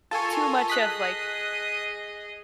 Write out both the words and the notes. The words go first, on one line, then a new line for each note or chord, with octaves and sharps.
too much of, like,
F4 A4 A#4 G#5 A5 C#6
G#4 D#5 D#6 F#6 B6